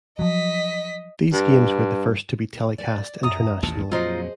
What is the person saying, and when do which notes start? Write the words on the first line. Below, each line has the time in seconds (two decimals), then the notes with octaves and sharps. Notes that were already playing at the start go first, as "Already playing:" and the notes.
These games were the first to be telecast internationally.
0.19 F3 F#3 D#5 B6
1.33 G2
2.78 D5
3.23 F#2 A#5 D#6
3.63 A1 D#2 A#2 A5
3.92 F2 A#2 F#3 D#4 F4 G#4 C5 D#5